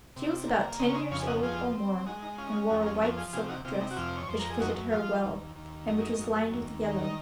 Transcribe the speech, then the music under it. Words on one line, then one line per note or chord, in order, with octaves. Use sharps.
She was about ten years old or more, and wore a white silk dress, which fitted her well and which was lined with yellow.
C3
A#3
C#3 C5 D#5
C#5
C5 D#5
F2 C#5 F5
G#5
D#5 F#5
F3 F4 G#4
C4
G#3 D#4 F#4
D#4
C#4 F4
D#4
F4
F2 D#4 F#4
A#4
F4 G#4
F3 F#4 A#4
F4 G#4
C3 F4 G#4
D#4 F#4
C3 F4
D#4
F#4
F2 F4
C#5
F2 C5
A#4
G#4
F#2 D#4 F#4
F3 F4
D#2
D#2
F#2 D#4
F#2
D#2
D#3
D#4